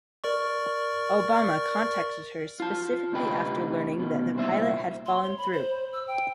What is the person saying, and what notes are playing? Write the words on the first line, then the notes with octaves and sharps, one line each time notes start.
Obama contacted her specifically after learning that the pilot had fallen through.
A#4 D5 C#6
F4 A5
D2 C3 D#4 B4 G5
B2 D#3
C2 A#2 C5 E5
C6
C#5
B5
C5
E6
G5